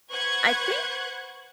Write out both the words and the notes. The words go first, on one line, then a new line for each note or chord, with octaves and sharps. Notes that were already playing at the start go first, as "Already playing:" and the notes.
I think
B4 C5 F#5 C#6 F#6 G#6